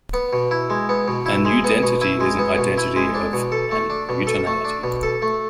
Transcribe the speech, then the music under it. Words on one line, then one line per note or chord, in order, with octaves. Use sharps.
"An udentity is an identity of an utonality".
B3
B2
E4
G#3
B3
B2
E4
G#3
B3
B2
E4
G#3
B3
B2
E4
G#3
D4
B2
A4
A3
D4
B2
A4
A3
D4
B2
A4
A3